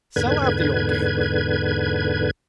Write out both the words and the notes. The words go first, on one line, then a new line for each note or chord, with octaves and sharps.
'Sell out the old gambler!
E2 G#2 D3 B4 G#6